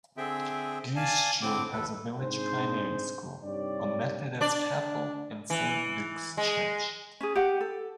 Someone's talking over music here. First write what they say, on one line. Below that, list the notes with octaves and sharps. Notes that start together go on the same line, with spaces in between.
Goostrey has a village primary school, a Methodist chapel and Saint Luke's Church.
D3 C4 G#4 E5 G5
D5 F5 G#5 A5
A2 D3 C4 D6
D#2 A4 B4
G#2 C4 D4 G#4 C5
G2 C3 D#4 G4 C#5 D5
D4 D5
E3
G#3
C#4 G#4
G4 F#5
A4